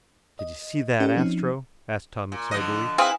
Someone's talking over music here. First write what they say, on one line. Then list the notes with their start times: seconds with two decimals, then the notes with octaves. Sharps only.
"Did you see that, Astro?" asked Tom excitedly.
0.39 D#5
1.00 C#4 G4 A4 A#4 D5
1.17 F3 C4 C#4 D#4
2.32 A#2
2.51 D3 F3 D#5
2.98 C4 E4 G#4 B4 F5